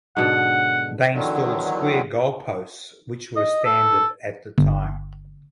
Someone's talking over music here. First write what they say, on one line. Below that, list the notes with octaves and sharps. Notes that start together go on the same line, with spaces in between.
They installed square goalposts which were standard at the time.
G#2 B2 D3 F#5
E2 D3 D#3 F#3
D#5
A4
G1